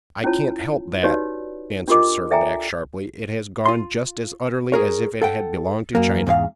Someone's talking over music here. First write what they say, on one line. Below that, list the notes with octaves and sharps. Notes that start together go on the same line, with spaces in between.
"I can't help that," answered Servadac, sharply; "it has gone just as utterly as if it had belonged to China."
C#4 E4 F4 C#5 A5
D#4 F#4 G4 B4 C#5 D5
D4 F4 G4 A#4 D#5 D6
A4 D5 E5 G5 G#5 A#5
F4 C6
G#4 A#4 C#5
A4 F#5 G5
F#2 A#3
E2 G#2 C#5 F5